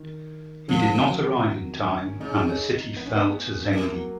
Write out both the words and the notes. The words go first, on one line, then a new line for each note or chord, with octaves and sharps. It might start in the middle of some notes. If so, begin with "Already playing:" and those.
He did not arrive in time and the city fell to Zengi.
Already playing: D#3
D#3 F3
F#3
C#4
C#3 D#4
B3
C#4
B3
B2 A#3
F#3